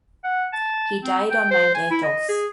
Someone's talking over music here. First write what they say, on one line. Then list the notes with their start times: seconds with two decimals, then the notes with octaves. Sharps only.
He died on Mount Athos.
0.24 F#5
0.53 A5
1.03 C4
1.31 G5
1.51 C5
1.75 G#5
1.90 E4
2.03 D#5
2.29 G#4